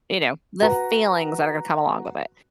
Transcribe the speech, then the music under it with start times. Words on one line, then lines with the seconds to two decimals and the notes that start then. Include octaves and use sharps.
you know, the feelings that are gonna come along with it.
0.62 F#4 B4 F#5 A#5